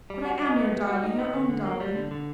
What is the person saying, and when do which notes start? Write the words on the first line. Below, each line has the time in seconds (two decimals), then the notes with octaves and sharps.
But I am your darling, your own darling.
0.10 G3
0.25 F#4
0.42 D#4
0.57 B3
0.72 G3
0.88 F#4
1.04 D#4
1.19 B3
1.34 D3
1.49 D3
1.65 A#3
1.80 G3
1.95 D3
2.11 D3